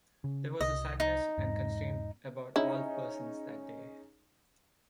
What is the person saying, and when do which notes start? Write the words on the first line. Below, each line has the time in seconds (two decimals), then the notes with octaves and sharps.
There was a sadness and constraint about all persons that day.
0.24 C#3
0.61 C2 D#5
1.00 D#4
1.38 E1 G#2
2.56 C#4 D#4 E4 G#4